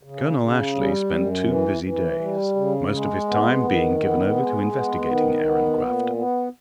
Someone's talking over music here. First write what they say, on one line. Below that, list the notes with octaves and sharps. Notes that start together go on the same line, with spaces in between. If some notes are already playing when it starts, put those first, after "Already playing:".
Colonel Ashley spent two busy days, most of his time being given over to investigating Aaron Grafton.
C#3
C#3
G3
F#2
E3
E3
G3
C#3
G#3
B3
D#3
B3
G#3
B3
D#3
B3
A#2
B3